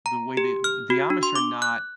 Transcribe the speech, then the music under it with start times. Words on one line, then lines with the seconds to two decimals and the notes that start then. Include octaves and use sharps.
the way they the Amish are not
0.06 A#5
0.37 G4
0.64 F6
0.90 F#4
1.10 D4
1.23 C6
1.35 D6
1.62 F#6